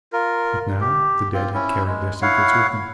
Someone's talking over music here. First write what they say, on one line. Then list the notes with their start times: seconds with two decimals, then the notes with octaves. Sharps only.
But now the dead had carried their secrets with them.
0.13 F4 A#4
0.81 G4
1.33 C4 F4
1.54 C#4 E4
1.86 G#3
2.22 E4 C#5 F5 F#5